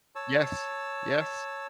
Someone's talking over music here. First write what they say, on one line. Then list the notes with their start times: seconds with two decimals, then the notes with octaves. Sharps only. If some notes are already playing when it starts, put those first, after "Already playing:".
Yes. Yes.
0.15 C#5 A5 E6